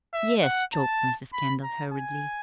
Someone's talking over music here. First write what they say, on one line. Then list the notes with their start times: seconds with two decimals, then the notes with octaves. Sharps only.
"Yes," choked Mrs. Kendall, hurriedly.
0.13 E5
0.44 F#5
0.73 A5
1.33 B5
1.63 A#5
1.93 G#5